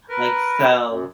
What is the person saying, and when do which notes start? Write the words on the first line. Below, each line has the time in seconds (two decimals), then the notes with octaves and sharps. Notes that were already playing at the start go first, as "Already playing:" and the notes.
Like, so
0.09 A#4 B4
0.88 F#2